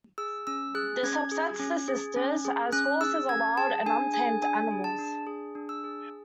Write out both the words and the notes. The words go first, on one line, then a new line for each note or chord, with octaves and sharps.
This upsets the sisters, as horses are wild and untamed animals.
G#4 E6
C#4 E6
G#4 F#6
C#4 G#6
G#4
C#4
G#4
C#4
G#4
C#4 F#6
G#4 E6
C#4 G#6
G#4 A5
D4 G#5
G#4 G#5
D4 G#5
G#4
A5
D4
G#4
D4
E6
G#4